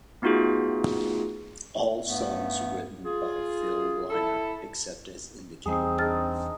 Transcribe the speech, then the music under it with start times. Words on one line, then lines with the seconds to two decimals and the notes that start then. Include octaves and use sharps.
All songs written by Phil Lynott except as indicated.
0.22 A3 B3 D#4 F4 F#4 G#4
2.06 G2 A3 B3
3.04 F4 G#4
4.10 E4 A4
5.66 E2 G3 C4 D#4 G#4
5.98 D4 D#4 G#4 F6 A6